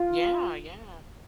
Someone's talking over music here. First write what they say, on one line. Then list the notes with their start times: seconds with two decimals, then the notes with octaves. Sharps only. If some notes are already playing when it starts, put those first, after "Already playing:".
Yeah, yeah.
Already playing: F4